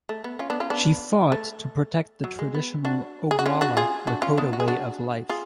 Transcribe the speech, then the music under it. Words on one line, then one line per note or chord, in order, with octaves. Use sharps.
She fought to protect the traditional Oglala Lakota way of life.
A3
B3
C#4 F4
B3 D4
C#4 F4
B3 D4
A3
F#3
G#3
B3
D4 F#4
G#4
F#4
C#4 F4
D4 F#4
F4 G#4
D4 F#4
C#4 F4
B3 D4
F#4
G#4
D4 F#4
F4 G#4